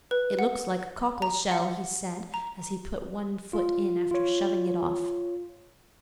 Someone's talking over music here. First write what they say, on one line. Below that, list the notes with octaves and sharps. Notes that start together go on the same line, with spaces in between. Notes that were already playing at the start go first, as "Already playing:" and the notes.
"It looks like a cockle-shell," he said, as he put one foot in after shoving it off.
B4
F#5
A#5
F#5
A#5
F4
F4 C#5